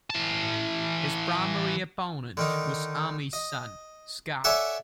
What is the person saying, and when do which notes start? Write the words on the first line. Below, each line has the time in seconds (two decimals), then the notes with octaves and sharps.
His primary opponent was Armey's son, Scott.
0.10 E3 A5
2.37 D3 D#3 D#4
3.33 D#5
4.44 A4 C#5 D5 E5 F#5 G#5